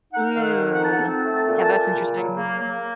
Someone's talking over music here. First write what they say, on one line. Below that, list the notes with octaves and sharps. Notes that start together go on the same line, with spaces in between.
Mm. Yeah, that's interesting.
D#4 F#5
D#3 F5
F#5
F2
F#5
D#4 A5
F#5
C4 A5
A3
A5
A#2
A5
A#2
C#3
F#3
A#3
A#3